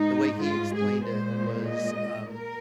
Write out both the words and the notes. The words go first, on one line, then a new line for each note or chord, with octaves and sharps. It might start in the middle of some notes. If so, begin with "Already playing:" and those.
the way he explained it was, um,
Already playing: G#2 G#3 D#4
F4
G#4
A#2 G#3 C5
D#5
A#4